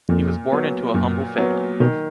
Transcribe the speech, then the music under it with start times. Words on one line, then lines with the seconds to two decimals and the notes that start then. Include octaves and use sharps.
He was born into a humble family.
0.09 F2 A#2
0.51 F#3 B3
0.94 F#2 A#2
1.38 F#3 B3
1.80 B2 D#3